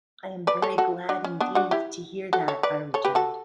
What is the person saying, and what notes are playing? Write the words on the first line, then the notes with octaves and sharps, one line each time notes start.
"I am very glad indeed to hear that," I returned.
B4 D5
A4 C#5
F#4 A4
D4 F#4
C#4
B3 D4
D4 F#4
E4 G4
F#4 A4
A4 C#5
B4 D5
A4 C#5
G4 B4
F#4 A4